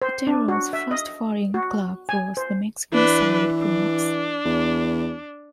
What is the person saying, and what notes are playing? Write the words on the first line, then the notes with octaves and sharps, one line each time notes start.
Botero's first foreign club was the Mexican side Pumas.
C5
D4
F#4
E5
D#5
F#4
G#5
C5
E3 D4 B4
D4
E2